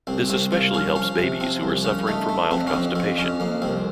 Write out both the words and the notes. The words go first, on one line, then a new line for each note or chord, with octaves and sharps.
This especially helps babies who are suffering from mild constipation.
C2 C4
C2 C4
C2 F4
F3 C#4
F3 C#4
C3
F3 C4
C2
C#3 C#4
A3 D#4
A3
F2 C4
C#4
F2 C4
F2 C4
F2 C#4
F2 A#3
C2 C4